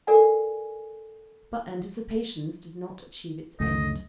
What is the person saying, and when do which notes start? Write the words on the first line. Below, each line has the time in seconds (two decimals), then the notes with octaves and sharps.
But Anticipations did not achieve its end.
0.07 A4 A#4 D5 F#5 G#5
3.60 C#2 F#2 A3 D#5